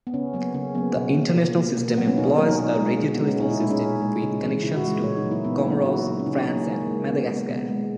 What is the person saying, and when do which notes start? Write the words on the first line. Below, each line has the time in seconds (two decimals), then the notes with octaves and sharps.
The international system employs a radiotelephone system, with connections to Comoros, France and Madagascar.
0.07 B3
0.14 C#3 C#4
0.34 F#3 A#3 B3
0.54 C#3 C#4
0.75 F#3 A#3 B3
0.96 B2
1.15 A#3
1.36 B2
1.57 A#3
1.76 B2 A#3
1.97 F#3 A#3 B3
2.08 C#4
2.17 B2 D#4
2.27 C#4
2.38 F#3 A#3 A#4
2.49 D#4
2.59 B2
2.79 G#3
2.99 B2
3.13 B3
3.20 G#3
3.27 C#4
3.40 A#2 D#4
3.50 E4
3.61 G#3 D#4
3.71 C#4
3.81 A#2
4.02 G#3
4.22 C#3
4.43 E3 G#3
4.62 C#3 E4
4.77 F#4
4.84 E3 G#3
5.04 A#2 C#5
5.17 D#4
5.24 F#3 A#3
5.31 E4
5.44 A#2 B3
5.58 D#4
5.65 F#3 A#3
5.72 E4
5.85 C#3 F#4
6.06 F#3 A#3
6.20 C#4
6.26 C#3 D#4
6.37 C#4
6.47 F#3 A#3 C#4
6.57 A#3
6.67 D#3
6.81 A#3
6.87 G#3
7.08 D#3 B3
7.29 G#3
7.36 A#3
7.49 B2 B3
7.69 G#3